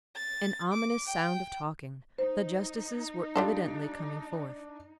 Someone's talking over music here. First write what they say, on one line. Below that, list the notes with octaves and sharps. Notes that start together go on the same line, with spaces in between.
An ominous sound of talking; the justices were evidently coming forth.
A6
D6
G5
D#4 C5
G3 D4 F4 A4 D5